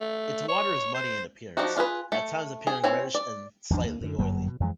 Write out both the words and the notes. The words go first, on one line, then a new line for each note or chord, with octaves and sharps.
Its water is muddy in appearance, at times appearing reddish and 'slightly oily'.
A3
C#5
C5
F3 D4 D#4 F#4
D4 F4 G#4 B4
A3
G#4
C4 E4 C#5 G#5
D5
G#1 E2 F3 D4
D2 A#3
F#2 D3
G1 F#2 F#3 A#3
B2
F2 E3 G3 G#3